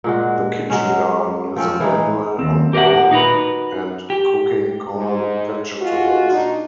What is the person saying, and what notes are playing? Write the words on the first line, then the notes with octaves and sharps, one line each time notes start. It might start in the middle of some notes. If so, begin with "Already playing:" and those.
The "Kitchen Garden" is a manual on growing and cooking common vegetables.
A#2 G#3 F#4
F#3 G#3 C#4
F3 C4 C#4
E3 G#3 D#4
D#2 C4
G4 A#4 C#5 E5 F#5
D#4 F#4 A#4 B4
G4
G#2
G#3 F4 F#4
A#2 D4 D#4